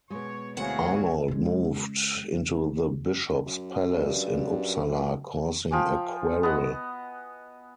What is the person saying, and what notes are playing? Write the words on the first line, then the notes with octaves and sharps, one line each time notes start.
Arnold moved into the bishop's palace in Uppsala causing a quarrel.
B2 G#3 C#5
D2 C4 E4 F#4 G#4 C#5 F5 F#5
C#3 G#3
F#2
G2
F3 G5 G#5 D6
B3 D#5 F#5